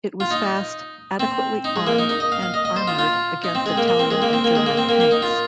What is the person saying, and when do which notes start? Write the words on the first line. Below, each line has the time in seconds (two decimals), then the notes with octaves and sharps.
It was fast, adequately armed and armoured against Italian and German tanks.
0.20 F4
0.31 D#4
1.20 C4
1.64 D#4
1.76 G#3
1.87 A#3
1.98 D#4
2.09 D#4
2.20 D#5
2.32 F5
2.43 F5
2.54 D#5
2.65 D#5
2.76 C5
2.87 F4
2.99 F4
3.44 D#4
3.55 C4
3.66 G#3
3.77 A#3
3.88 A#3
3.99 C4
4.11 G#3
4.22 A#3
4.33 C4
4.44 A#3
4.55 G#3
4.66 A#3
4.77 C4
4.89 A#3
5.00 A#3
5.11 D#4
5.22 F4